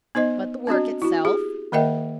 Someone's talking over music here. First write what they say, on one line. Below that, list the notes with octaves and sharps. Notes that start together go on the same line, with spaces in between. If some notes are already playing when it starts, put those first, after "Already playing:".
"But the work itself?"
B3 D#4 C5 D#5
C4 D4 F#4 D#5
E4 F#4
G4 G#4
D#3 A#3 A#4 D#5 E5 G5